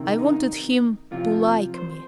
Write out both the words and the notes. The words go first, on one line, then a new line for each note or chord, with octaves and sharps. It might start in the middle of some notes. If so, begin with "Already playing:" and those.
I wanted him to like me.
Already playing: C3 D#3
D#4
C3 F3 F4
C5